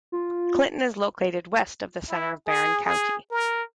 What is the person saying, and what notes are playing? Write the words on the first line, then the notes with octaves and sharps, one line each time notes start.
Clinton is located west of the center of Barron County.
F4
E4
G#4
G#4
A#4